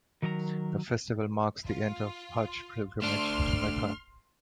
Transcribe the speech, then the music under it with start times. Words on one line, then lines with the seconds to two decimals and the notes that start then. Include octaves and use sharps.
The festival marks the end of the Hajj pilgrimage to Mecca.
0.22 D#3 F#3 A#4 D5 A#5
1.65 F4
3.02 A3 D4 C6 F6